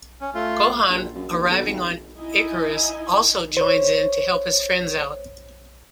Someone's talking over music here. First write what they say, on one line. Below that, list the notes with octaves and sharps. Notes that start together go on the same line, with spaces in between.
Gohan, arriving on Icarus, also joins in to help his friends out.
C#4
A3 F4
A#1
F#2
D#2
B1
G#1
D#4 E4 D#5 G#5
C5 C#5